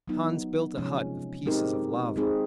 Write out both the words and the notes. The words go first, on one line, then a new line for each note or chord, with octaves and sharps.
Hans built a hut of pieces of lava.
F#3 B3 D#4
C3 F3 G#3 C#4
G#3 C4 D#4 G4 A#4
G#3 C4 D#4 G#4